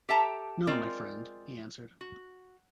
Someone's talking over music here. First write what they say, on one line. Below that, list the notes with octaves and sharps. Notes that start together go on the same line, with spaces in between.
"No, my friend," he answered.
G4 A4 E5 G5 A5 A#5
G#3 C4 F4 A#4 D5
F#4